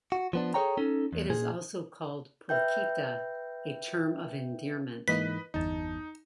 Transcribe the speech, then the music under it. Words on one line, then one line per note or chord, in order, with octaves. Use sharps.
It is also called "polquita", a term of endearment.
F#4
F3 B3 D4
G#4 A4 B4 C#5 G5 A#5
C#4 D#4 A4
E2
A#2 G#4
B4 E5 G5 G6
G#2 E3 A#3 B4 D#5 B6
G1 E2 D#4 A5